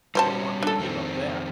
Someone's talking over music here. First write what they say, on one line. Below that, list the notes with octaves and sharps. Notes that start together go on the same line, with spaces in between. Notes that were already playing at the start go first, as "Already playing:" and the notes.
You don't want me to give up that?
F#3 G3 C#4 C5 A5
D4 A4
F2 D#3 C4